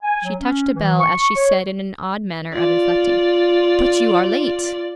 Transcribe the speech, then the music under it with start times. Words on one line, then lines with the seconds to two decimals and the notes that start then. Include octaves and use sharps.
She touched a bell as she said in an odd manner of inflecting, 'But you are late!'
0.03 G#5
0.24 F#3
0.39 C#4
0.75 E3
1.00 C#6
1.36 C#5
2.53 F4 D5